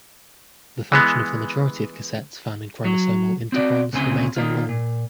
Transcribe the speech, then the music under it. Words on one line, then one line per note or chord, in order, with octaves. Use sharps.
The function of the majority of cassettes found in chromosomal integrons remains unknown.
E3 G#3 B3
F#3
C4 F#4 D5
D2 C#3 C4 G#5 C6
D#3 A#3 F4
A#2